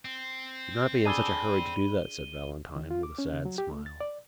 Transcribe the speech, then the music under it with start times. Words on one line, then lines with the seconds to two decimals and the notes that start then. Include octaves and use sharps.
"Do not be in such a hurry to do that," said Valentine, with a sad smile.
0.05 C4
1.05 D4 G#4 A4 B5 D#7 G7
2.76 D#3
2.91 F4
3.03 D6
3.18 C#4
3.32 C#3
3.45 F#3
3.58 G4
3.71 A3
3.86 A6
4.00 D5